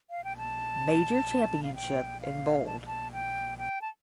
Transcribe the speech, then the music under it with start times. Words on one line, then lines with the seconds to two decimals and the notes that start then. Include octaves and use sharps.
Major championship in bold.
0.10 F5
0.24 G5
0.37 A5
1.63 F5
1.75 G5
2.21 F5
2.66 A5
2.86 A5
3.12 G5
3.58 G5
3.81 A5